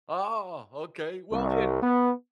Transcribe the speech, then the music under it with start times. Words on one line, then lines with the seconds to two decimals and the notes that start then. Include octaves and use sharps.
Oh, okay, well and
1.32 C2
1.82 B3